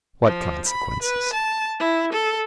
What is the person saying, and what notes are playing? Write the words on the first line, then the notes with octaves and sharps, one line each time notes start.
"What consequences?"
F3
B5
B4
A5
E4
A4